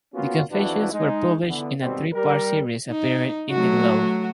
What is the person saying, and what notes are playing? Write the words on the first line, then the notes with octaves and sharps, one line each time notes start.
The confessions were published in a three-part series appearing in the "Globe".
A#3 B3 C#4 F4 F#4
F2 E3 D4 E4 F#4 B4
G#3 D#4
D3 E3 B3
G#1 B2 G3 C4
G3 A#4
D#4
F#3 A3 F#4